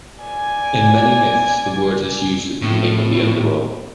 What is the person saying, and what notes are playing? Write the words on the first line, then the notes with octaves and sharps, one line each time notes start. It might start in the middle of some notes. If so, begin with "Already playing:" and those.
In many myths, the word is used as the name of the Underworld.
D5 G#5
A2